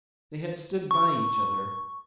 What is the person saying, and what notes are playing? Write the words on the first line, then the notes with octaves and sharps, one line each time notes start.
They had stood by each other.
C#6